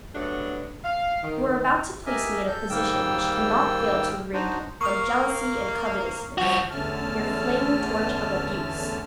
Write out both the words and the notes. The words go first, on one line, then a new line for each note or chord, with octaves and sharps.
You are about to place me in a position which cannot fail to wring from jealousy and covetousness their flaming torch of abuse.
F#3 G3 A3 B3 D4
F5
D#3
G4 A#4 D#5 E5 G#5
A4 G6
G#2 D#3 G3 A#3 G5 E6
D4 D#4 F#4 C5
A#3 C#6 D#6 F6
F3 F#4
E2 D3 A3 C#4 A5 F6